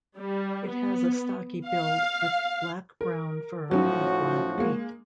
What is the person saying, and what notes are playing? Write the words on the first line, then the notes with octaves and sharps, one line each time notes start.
It has a stocky build with black-brown fur and black feet.
G3
B3
F5
A#4
A2 F3 F#3 C#4 D#4 F#4
G#3 A#3